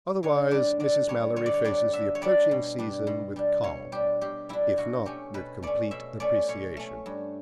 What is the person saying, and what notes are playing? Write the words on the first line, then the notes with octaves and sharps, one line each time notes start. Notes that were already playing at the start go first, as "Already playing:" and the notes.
Otherwise Mrs. Mallory faces the approaching season with calm, if not with complete appreciation.
D3 C#5
G3 D4 D5
D3 D5
G3 D4 C#5
D3 C#5
D5
C#5
G3 D4 D5
D3 E5
C#5
G3 D4 D5
B2
G3 D4
B2
G3 D4
B2 C#5
G3 D4 G4
B2 G4
G3 D4 E4
B2 F#4
A3 C#4 G4
B2 B4
A3 C#4 D5
B2 E5
A3 C#4 D5
B2 C#5
A3 C#4
G2